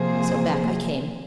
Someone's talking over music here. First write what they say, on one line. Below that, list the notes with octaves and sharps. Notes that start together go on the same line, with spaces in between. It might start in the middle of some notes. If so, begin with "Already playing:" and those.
So back I came.
Already playing: C3 F3 A#3 G#4 C5